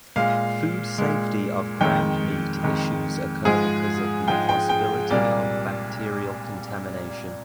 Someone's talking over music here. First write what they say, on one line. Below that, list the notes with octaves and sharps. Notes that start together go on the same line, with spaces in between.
Food safety of ground meat issues occur because of the possibility of bacterial contamination.
A#2 G#3 F5
A#2 G#3
F2 D#3 G#3 G5
F2 D#3 G#3
G#2 F3 G#3 G#4
G#2 F3 G#3 G5
G5
G5
C2 A#2 G3 A#3 D5